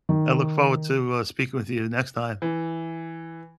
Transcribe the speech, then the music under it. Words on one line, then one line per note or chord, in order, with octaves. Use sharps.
I look forward to, uh, speaking with you the next time.
D#3
E3